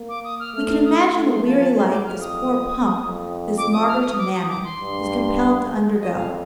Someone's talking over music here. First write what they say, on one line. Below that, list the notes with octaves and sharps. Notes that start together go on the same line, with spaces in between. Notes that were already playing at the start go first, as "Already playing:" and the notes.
We can imagine the weary life this poor Pump, this martyr to Mammon, is compelled to undergo.
Already playing: A#3
D6
D#6
F6
A3 F6
F6
D#6
C6
A3
C6
F3 A5
A5
A2 C6
D6
F2 F6
D#6
F2
D6
D#6
F6
D#6
D6
D#6
D6
C6
G2
F2 D#5
F5